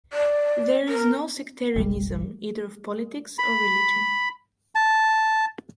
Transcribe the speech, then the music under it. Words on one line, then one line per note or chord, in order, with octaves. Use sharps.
There is no sectarianism, either of politics or religion.
D5
A#4
F#1 B1 G3
B5
A5